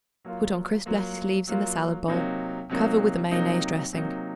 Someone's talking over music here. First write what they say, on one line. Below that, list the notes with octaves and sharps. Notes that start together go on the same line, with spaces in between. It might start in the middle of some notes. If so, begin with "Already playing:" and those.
Put on crisp lettuce leaves in the salad bowl; cover with a mayonnaise dressing.
F#3 A#3 F4
F#3 A#3 F4
F#3 A#3 F4
C3 F#3 A#3 D#4
C3 F#3 A#3 D#4
C3 F#3 A#3 D#4
C3 F#3 A#3 D#4